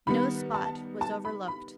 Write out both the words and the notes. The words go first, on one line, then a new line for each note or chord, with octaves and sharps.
No spot was overlooked.
D#3 G3 B3 B5
A5
A5
B5
B5